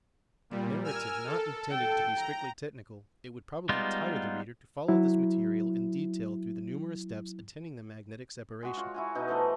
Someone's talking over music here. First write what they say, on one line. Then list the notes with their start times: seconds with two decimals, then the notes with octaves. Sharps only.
In a narrative not intended to be strictly technical, it would probably tire the reader to follow this material in detail through the numerous steps attending the magnetic separation.
0.50 A#2 G3
0.84 A#4 G#5 E6 F6
1.26 A4
1.71 G5
2.17 A#5
3.69 G3 G#3 B3 D#4 F4
4.88 F#3 E4
8.63 G#3 F#4
8.77 F4 C#5
8.94 E4 F#4 G#5
9.15 B2 D#4 D#5
9.28 E3 F3 A3 D#5